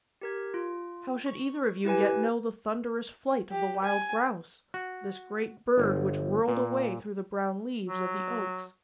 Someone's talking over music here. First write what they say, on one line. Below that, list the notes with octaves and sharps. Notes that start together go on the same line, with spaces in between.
How should either of you yet know the thunderous flight of the wild grouse, this great bird which whirled away through the brown leaves of the oaks?
G4 A#4 G#6
F4
C#6
E4 G4 B4 G#5
G4
G#5
F#4
G1
A#2
F#3